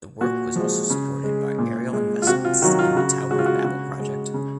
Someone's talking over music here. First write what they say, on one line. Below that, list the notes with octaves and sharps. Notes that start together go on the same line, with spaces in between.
The work was also supported by Ariel Investments in the "Tower of Babel" project.
A#2 F#4
F3 G#3
C#3
G#3
A#2
G#3
F4
C3 F#4
F4
D#3 F#3 F#4
F4
C#3 F#4
G#3 F#4
F4
F#4
C#3 F#4
G#3
C#3